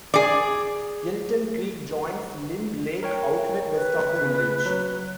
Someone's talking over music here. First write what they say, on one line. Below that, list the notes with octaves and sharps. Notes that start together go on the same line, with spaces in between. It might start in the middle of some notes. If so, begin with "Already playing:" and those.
Elton Creek joins Lime Lake Outlet west of the village.
G#4 D5
A#4 C#5 G5
B4
C#3
F#3